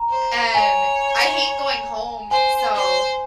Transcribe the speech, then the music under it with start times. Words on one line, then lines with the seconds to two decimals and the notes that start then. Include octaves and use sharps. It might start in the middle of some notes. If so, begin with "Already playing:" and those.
And I hate going home, so
Already playing: A#5
0.09 C5
0.54 C#5 G#5
2.31 C5 G#5
2.75 C5